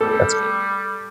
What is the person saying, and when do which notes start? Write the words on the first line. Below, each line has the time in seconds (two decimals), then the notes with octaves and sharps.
That's good.
0.01 G3 A4